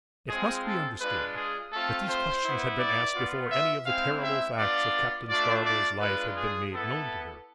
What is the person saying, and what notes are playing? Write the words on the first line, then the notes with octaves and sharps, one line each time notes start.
It must be understood that these questions had been asked before any of the terrible facts of Captain Scarborough's life had been made known to her.
G#3 C4 F4 G#4
A4
G#3 D4 F4 B4
G#4
A3 C4 F4 A4
C5
B3 E4
D5
B3 F4
E5
G#3 C4 E4 F5
E5
B3 D4 F4 D5
A3 D4 F4 D5
D5
G#3 D4 F4 B4
G#4
B3 E4 A4